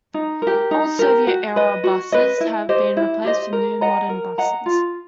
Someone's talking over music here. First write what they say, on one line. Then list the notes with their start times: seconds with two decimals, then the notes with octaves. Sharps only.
Old Soviet-era buses have been replaced with new modern buses.
0.14 D#4
0.42 G4 A#4
0.71 D#4
0.99 G4 A#4
1.27 F#4
1.56 B4 D#5
1.84 F#4
2.12 B4 D#5
2.40 E4
2.69 G4 C5 D#5
2.97 E4
3.25 G4 C5 D#5
3.53 A#4
3.81 D#5 F#5 A#5
4.09 A#4
4.38 D#5 F#5 A#5
4.66 F4